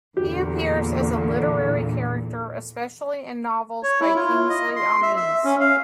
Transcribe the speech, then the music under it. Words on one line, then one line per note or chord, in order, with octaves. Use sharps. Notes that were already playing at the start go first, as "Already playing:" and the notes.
He appears as a literary character, especially in novels by Kingsley Amis.
E2 A#2 D3 G4
C#5
E4
F4
D#5
C6
E5
E5
C#4
F5